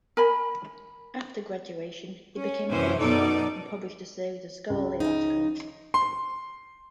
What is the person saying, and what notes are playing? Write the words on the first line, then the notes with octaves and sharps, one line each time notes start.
After graduation, he became a philosopher and published a series of scholarly articles.
A#4 G#5 B5
C#4
F#2 C3 E3 C#4 C5
F#2 B2 D#4 A4 D5
C#2
C#3 D#4
C6